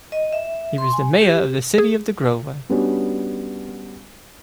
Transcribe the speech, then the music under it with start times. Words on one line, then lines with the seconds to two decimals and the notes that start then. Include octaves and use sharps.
He was the Major of the City of the Grover.
0.12 D#5
0.33 E5
0.78 C6
0.93 G#5
1.22 G4
1.78 G#4
2.69 G3 B3 C#4 D4 F#4 G4